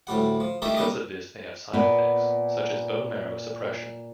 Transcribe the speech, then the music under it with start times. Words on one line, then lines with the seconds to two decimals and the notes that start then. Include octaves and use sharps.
Because of this they have side effects such as bone marrow suppression.
0.07 D2 A2 G3 F#5
0.40 F3
0.62 A3 D#4 G4 A4 A#4 E5
0.77 D#2 G3 D4 D#4 D#5
1.73 A#2 B3